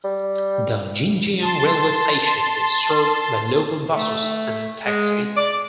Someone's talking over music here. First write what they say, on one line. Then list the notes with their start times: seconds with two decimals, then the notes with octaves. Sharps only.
The Jinjiang Railway Station is served by local buses and taxi.
0.04 G3
1.41 A5 C6
3.97 A3
4.85 G#3
5.36 D5